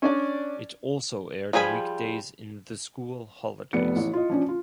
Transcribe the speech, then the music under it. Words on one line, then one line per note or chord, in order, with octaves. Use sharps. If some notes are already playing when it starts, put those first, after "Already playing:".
It also aired on weekdays in the school holidays.
C#4 D4 D5
F3 G3 G#4 G#5 B5
F1 B3 D5 C#7
A1
F4 D#5
F3 C#4 D4
F4